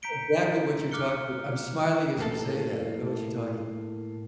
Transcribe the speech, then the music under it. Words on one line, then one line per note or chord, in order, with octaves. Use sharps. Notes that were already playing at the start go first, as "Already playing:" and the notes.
Exactly what you're talking abou I'm smiling as you say that. I know what you're talking
A#5 G6 B6 C#7 D7 G7
D6 F6 F#6 C#7 G7
A2 A#3 A4